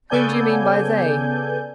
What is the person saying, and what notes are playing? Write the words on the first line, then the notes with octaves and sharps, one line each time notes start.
"Whom do you mean by they?"
C#3 B3 A4 D5 G#5 G6